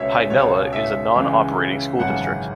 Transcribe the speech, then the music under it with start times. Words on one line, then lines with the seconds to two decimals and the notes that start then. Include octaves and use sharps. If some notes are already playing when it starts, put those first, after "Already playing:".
Hi-Nella is a non-operating school district.
Already playing: C#2 B2 G#3 C#5 E5
0.30 C#2 B2 G#3 C#5
0.72 C#5 E5
1.15 C#2 C#3 E3 G#3
1.99 G#1 F#2 C#3 E3 G#3 F#5 A5